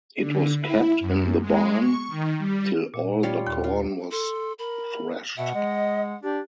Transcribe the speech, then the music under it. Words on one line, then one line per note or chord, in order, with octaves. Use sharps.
It was kept in the barn till all the corn was threshed.
D3
E4
F#2
G#3
C#6
D#3
G3
A#2
G3 F4 C#5
D#2 G5 C6
F4
A4 C6
A#4 B5
B2 E5 F#5
G#3 D#5
D4 G4